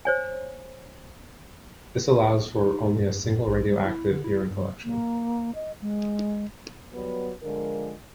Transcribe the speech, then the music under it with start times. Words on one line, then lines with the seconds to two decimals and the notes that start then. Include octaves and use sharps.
This allows for only a single radioactive urine collection.
0.05 C5 C#5 G#5
2.66 D#4
2.98 G2
3.24 G2
3.47 A#1
3.71 G3
3.85 E4
4.11 D3
4.24 E4
4.51 G2
4.84 A#3
5.55 D#5
5.81 G#3
6.93 F#3 G3 B3 B4
7.42 D3 F3 G#3 F4 A#4